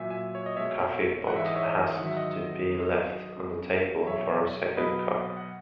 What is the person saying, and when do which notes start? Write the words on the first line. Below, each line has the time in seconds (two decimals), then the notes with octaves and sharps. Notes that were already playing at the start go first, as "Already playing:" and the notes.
The coffee pot has to be left on the table, for a second cup.
Already playing: A#2 F#3 E5 G#5
0.10 E5 G#5
0.35 C#5
0.46 D#5
0.56 B2 G#3 C#5 E5
1.27 G#2 E3 G#3 F#5
1.36 E5
1.45 D#5
1.56 C#5 E5
1.97 G#2 D#3 F#3 F#5
2.06 E5
2.16 D#5 F#5
2.67 G#2 F#3
3.36 F#2 C#3 G#3
4.07 B2 F#3 C#5 E5
4.77 B2 F#3 B4 D#5
5.37 F#5